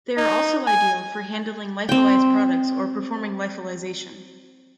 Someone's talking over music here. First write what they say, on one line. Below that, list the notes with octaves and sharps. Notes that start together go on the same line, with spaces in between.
They are also ideal for handling lyophilized products or performing lyophilization.
D#4
G#5
C4 G5